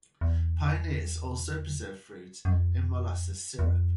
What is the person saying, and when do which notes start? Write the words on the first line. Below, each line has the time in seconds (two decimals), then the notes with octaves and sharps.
Pioneers also preserved fruit in molasses syrup.
0.21 E2
2.45 F#2
2.51 F2
3.59 E2
3.67 F2